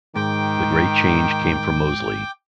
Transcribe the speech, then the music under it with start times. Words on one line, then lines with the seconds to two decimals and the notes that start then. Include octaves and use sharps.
The great change came from Moseley.
0.16 G#2 D#3 G5 D6